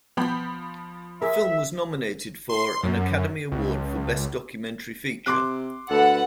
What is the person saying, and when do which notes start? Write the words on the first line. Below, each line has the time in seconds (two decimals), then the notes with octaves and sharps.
The film was nominated for an Academy Award for Best Documentary Feature.
0.17 F3 B3 G5 B5 G6
1.22 G#4 A#4 E5
2.49 C6
2.83 F#2
3.52 C#2
5.26 C3 C6 D6 F#6
5.90 D2 A4 B4 F#5